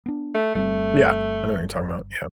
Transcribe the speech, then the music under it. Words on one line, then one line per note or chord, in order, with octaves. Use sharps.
Yeah, I know what you're talking about, yep.
B3 D4
A3
G1 G3 A3 C4